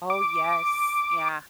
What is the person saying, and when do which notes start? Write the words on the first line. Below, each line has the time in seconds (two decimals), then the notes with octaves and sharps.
Oh, yes, yeah.
0.10 D6